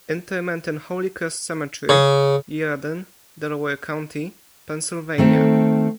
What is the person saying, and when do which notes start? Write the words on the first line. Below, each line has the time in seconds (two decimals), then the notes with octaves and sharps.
Interment in Holy Cross Cemetery, Yeadon, Delaware County, Pennsylvania.
1.89 C#3
5.18 D#3 A3 C4 A4